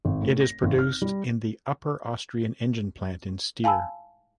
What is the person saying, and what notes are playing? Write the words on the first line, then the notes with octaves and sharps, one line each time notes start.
It is produced in the upper Austrian engine plant in Steyr.
G#1
A2
A#6
G#1
F6
G3
F5 G#5 A5 B5 E6